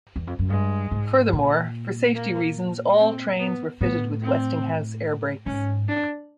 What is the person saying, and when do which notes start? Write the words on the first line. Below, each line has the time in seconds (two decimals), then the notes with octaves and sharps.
Furthermore, for safety reasons all trains are fitted with Westinghouse air brakes.
0.16 E2
0.27 F2
0.39 F#2
0.50 G2 G#3
0.91 G#2
1.33 A#2
2.16 A#3
2.99 C4
3.39 B3
3.81 A2 B3
4.22 C4
5.46 G#2 C#4
5.88 D4